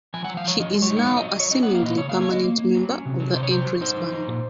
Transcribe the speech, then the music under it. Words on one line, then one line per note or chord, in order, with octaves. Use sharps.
She is now a seemingly permanent member of the Entrance Band.
F3 G#5
F#5
F3
F5
F3 C#5
F3 D#5
G#3
C#5
D#4
F#5
F#3 F5
D#5
F#3
D#5
F#3 C#5
C#4 D#5
F#5
A#3
F5
A#2 D#5
C#3 C#5
F5
A#3
C#5
A#3 D#5
A#3
A#3
F#3
C#4
C3
F#3
C3 C5
C#5
F#3 C5
F#3
D#4 C5
F3
D#4
A#2